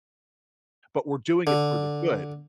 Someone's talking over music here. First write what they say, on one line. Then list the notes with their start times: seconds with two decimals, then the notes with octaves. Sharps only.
but we're doing it for the good.
1.47 D3